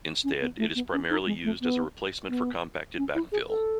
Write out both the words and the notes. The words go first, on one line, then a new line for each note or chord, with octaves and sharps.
Instead, it is primarily used as a replacement for compacted backfill.
C#4
B3
A3
B3
C#4
D#4
G#3
A3
B3
B3
C#4
E4
G#4
A4